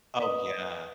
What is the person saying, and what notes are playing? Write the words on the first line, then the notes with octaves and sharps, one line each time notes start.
Oh, yeah.
B4 D#5 D#6